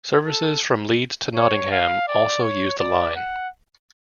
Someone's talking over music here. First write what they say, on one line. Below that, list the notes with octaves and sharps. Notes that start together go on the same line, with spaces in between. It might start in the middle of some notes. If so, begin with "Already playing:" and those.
Services from Leeds to Nottingham also use the line.
A4
C#5
F5
D5
C#5
D5
F#5